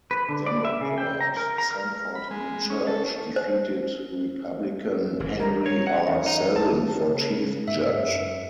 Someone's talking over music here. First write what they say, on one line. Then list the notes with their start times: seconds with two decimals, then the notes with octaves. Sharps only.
Democrat Sanford E. Church defeated Republican Henry R. Selden for Chief Judge.
0.11 B4
0.29 D3
0.46 D5
0.65 E5
0.81 C#3
0.98 G5
1.21 A#5
1.37 A#4
1.58 A#5
1.71 F6
2.15 B5
2.31 G#3
2.70 C#4
2.87 A4
3.36 C5
5.20 F#1 E3
5.40 G3 A#4 A#5
5.66 C#5
5.87 F#5
6.07 E2
6.26 D#4
6.42 F#2
6.56 A5
7.07 C#3
7.68 G#2 E5
7.97 F#2